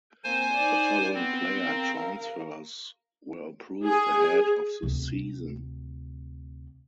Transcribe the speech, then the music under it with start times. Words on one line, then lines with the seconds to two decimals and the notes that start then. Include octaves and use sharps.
The following player transfers were approved ahead of the season.
0.24 A#3 C4 C5 G#5
0.53 D#4 D5
1.14 B3 C4
1.67 A#4 F5
3.86 G#4
4.83 D2 C3